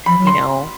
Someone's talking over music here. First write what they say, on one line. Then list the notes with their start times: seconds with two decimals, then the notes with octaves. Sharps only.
you know
0.06 F3 B5
0.18 F#3
0.27 C6